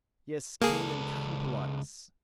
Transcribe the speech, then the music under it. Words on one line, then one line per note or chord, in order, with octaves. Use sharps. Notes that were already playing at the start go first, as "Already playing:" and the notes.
Yes, keen and cutting politeness.
C#2 A#3 G#4 A4